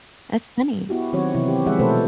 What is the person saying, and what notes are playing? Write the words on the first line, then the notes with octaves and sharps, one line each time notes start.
That's funny.
B3 E4 F#4 G4
D#3 F#3 C4 F#4 C#5
C3 E3 C4 D#4 E4
G4
F3 G#3 C4 G#4 E5 F#5
B2 F3 A3 A4 B4 C5